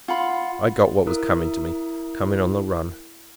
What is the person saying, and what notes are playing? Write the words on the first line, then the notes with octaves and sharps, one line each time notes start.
I got what was coming to me--coming on the run.
F4 F#5 B5 C6
E4 A#4 D#6